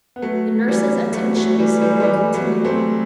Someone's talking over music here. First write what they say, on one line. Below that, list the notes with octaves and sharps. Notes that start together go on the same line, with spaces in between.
The nurses' attentions were continual.
B3
F#3 A3
F#3
E3 G3
F#3 A3
F#3 A3
E3 G3
E3 G3
A3
E3 G3
F#3 A3
A3 C4